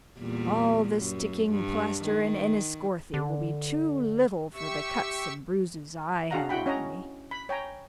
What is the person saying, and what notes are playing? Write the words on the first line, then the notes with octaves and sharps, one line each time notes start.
All the sticking-plaster in Enniscorthy will be too little for the cuts and bruises I have on me.
E2 A#2 G3
F#2
G2
D#3
D3
G4 E5 C#6 E6
D4 F#4 G#4 F5 F#5 A#5
E4 F#4 F#5 G5 B5
C#4 C#5 D#5 F#5 A#5
B5
C#5 G5 G#5 A#5